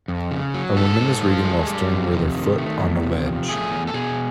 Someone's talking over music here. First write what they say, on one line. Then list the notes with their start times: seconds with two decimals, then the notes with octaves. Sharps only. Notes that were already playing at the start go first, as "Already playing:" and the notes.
A woman is reading while stirring with her foot on a ledge.
0.08 F2
0.31 C#3
0.54 F#3
0.76 G#2 A4
0.99 G#2
1.21 F3
1.45 G#3
1.67 G3
1.90 F2
2.13 C3
2.35 D#3
2.58 A3
2.81 E2
3.03 C3
3.26 F3
3.49 A3 G#4
3.71 E2
3.87 A4
3.94 B2 G#4